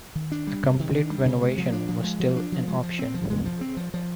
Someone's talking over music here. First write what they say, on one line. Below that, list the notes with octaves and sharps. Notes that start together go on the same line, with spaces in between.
A complete renovation was still an option.
D#3
D4
G3
C3
D#3
D4
G3
C3
G#3
F3
D4
F3
G#3
F3
D4
F3
G#3
F3
C4
F3
G#3
F3
C4
F3
F3